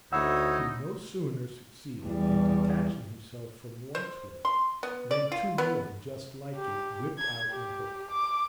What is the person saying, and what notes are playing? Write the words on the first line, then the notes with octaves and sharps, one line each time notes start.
He no sooner succeeded in detaching himself from one twig, than two more just like it whipped out and hooked him.
D2 D#4 E4 C#5 F#5 E6
E2 G3
C5
C6
B3
D5
F4
B3
G4
G#6
G4
D6